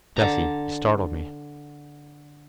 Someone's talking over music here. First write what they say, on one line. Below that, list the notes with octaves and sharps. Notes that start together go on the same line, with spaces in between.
"Jesse, you startled me."
D3 A5 A#5